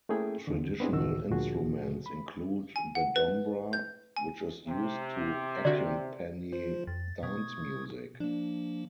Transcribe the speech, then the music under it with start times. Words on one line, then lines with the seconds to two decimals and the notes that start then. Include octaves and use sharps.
Traditional instruments include the dombra, which is used to accompany dance music.
0.09 A3 A#3 C#4 E4 G#4 G5
0.47 D#2 D3
0.80 B3 C4 D4 E4 G#4
0.92 C#2 A2 D#3 F#4 E6
1.31 D2 A#2 F3 F#4 G#4
2.06 B5
2.76 G#5
2.95 F#5
3.16 B4
3.73 G6
4.17 G#5
4.66 C3
5.65 D3 F#4 D5
6.52 F3 F4 C5
6.87 F2 A6
7.23 B2 C#6 D#6 G#6
8.20 F3 A#3 D4